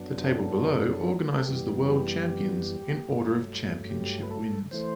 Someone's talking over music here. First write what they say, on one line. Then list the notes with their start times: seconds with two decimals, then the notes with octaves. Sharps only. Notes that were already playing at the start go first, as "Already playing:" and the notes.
The table below organises the world champions in order of championship wins.
Already playing: F#2 F#3 B3 D4
0.24 A4
1.35 A4
1.46 F#2 E3 G3 B3 G4
1.87 G4
3.09 G2 F#3 A3
3.90 G4
4.23 B4
4.31 A4
4.71 E3 A3 C5